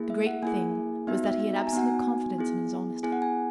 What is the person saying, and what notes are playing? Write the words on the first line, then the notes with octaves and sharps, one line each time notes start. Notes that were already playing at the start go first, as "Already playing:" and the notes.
The great thing was that he had absolute confidence in his honesty.
Already playing: A#3 E4 G#4
E5
F#5
A#3 E4 G#4 G#5
B3 D#4 F#4 E5
E5
E5
A#5
G#5
B3 D#4 F#4 F#5
G#5
B3 E4 G#4
B3 E4 G#4 G#5
F#5
G#5